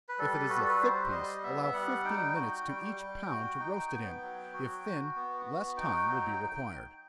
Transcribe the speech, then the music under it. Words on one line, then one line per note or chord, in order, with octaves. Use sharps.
If it is a thick piece, allow fifteen minutes to each pound to roast it in--if thin, less time will be required.
B4
G3 A4
F#4 B4
A4
B4
G3 C5
G3 D#5
B3 E5
E5
G3 F#5
D#4 G5
F#4
G3
G3
F#4
D#4
B3
F#3
F#4
F#4
B3
F#4
D#4 G5
F#3